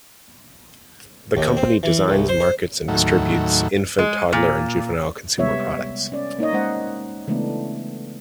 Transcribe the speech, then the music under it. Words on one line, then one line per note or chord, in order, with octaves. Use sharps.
The company designs, markets and distributes infant, toddler and juvenile consumer products.
D#2
C4
E3
C2
C5
C5
D#2 A2 F#3
G#3
A#2
C3 G3 G#3 B3 C#5 E5
C#4 D5
A#3 D#4 C#5 D#5
G#3 C#4 C5 F#5
C#3 E3 G#3 A3 B3 D4